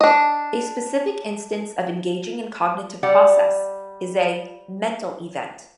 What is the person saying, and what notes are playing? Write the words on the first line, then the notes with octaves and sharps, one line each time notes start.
A specific instance of engaging in cognitive process is a mental event.
D4 D#5
G3 D5 F#5